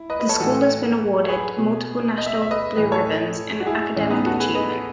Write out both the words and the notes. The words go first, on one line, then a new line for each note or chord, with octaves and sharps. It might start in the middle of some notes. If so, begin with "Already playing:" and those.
The school has been awarded multiple national blue ribbons in academic achievement.
Already playing: E4
B4 D#5
B4 D#5
A4 C#5
A2 E3 F#4 A4
C#5
G#4 B4
B2
D#5
E5
D#5
E5
B4 D#5
A2 E3 B4 D#5
A4 C#5
F#4
E4 G#4
A2 E3 C#4
B3 D#4
F#4 A4
G#4 B4
B4 D#5